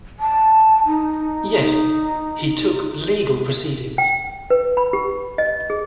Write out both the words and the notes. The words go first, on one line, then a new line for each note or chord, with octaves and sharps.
Yes, he took legal proceedings.
A5
D#4
G5
B4
B5
G4
D#5
G#4